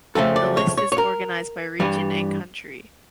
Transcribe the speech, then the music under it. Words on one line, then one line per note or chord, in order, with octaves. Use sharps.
The list is organized by region and country.
F2 C#3 F3 A3 A4
D5
C#5
C#5
C#5
A#4
G2 E3 G3